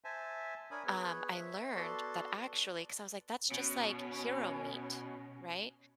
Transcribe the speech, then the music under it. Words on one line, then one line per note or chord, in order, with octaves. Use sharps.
um, I learned that actually 'cause I was like, that's just like hero meat, right?
C5 E5 G#5 A5
D4 A#4 C#5 G#5 B5 D#6
B3 G#4 B4 C#5
C#5 E5
B3 F#4 A4 D5 A5 C6
B2 C#4